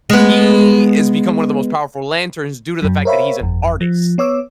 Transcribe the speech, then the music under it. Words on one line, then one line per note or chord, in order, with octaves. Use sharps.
he is become one of the most powerful lanterns due to the fact that he's an artist,
G#3 B3
F#2 F#3
A#4 C5 C#5 E5 F5 B5
G1 F2
F3
B3 C#5 D6 E6